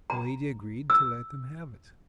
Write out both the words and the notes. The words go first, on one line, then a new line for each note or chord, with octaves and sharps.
The lady agreed to let them have it.
A#5
E6